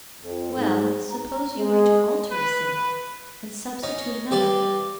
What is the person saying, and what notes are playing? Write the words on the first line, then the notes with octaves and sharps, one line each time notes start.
"Well, suppose you were to alter a signal, and substitute another?"
F2
G#2
A#5
G#3
B4
B4
C#4 D#4
G2 G4 B4 D5